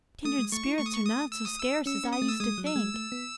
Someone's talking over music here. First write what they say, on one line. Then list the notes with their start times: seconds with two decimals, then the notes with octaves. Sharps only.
Kindred spirits are not so scarce as I used to think.
0.25 A3 D#6
0.38 G#3
0.52 A3 C#6
0.65 E4
0.79 A3 C#6
0.86 D#6
0.93 C#6
1.05 D#6
1.32 E6
1.46 D#6
1.58 E6
1.86 C#4 E6
2.04 C#4
2.13 D#6
2.22 A3
2.29 E6
2.40 G#3 D#6
2.58 F#3
2.67 E6
2.76 G#3
2.94 A3
3.12 B3